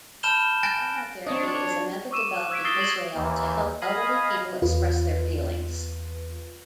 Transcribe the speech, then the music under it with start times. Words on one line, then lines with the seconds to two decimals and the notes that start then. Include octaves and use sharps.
Agnotherapy is a method developed in Israel to help elderly people express their feelings.
0.23 A5 B5 F6 G6 E7 G7
0.63 G#5 F#6 A6 A#6 D7
1.27 C4 D4 C#5 D#5
2.11 C#6 D6 E6 D#7 E7
2.36 F#6
2.50 E6 G#6 B6 D7
2.64 D#6 E6 A6 A#6 C7 G7
2.80 G#6 F#7
3.15 D#2 E3
3.82 D#5 F5 G#5 B5 D#6
4.62 E2 F4 B4